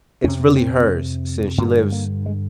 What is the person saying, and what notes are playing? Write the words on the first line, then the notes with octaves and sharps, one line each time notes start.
it's really hers since she lives
F2 C3 C#4
C4
G2 D3 B3
A#3
G#3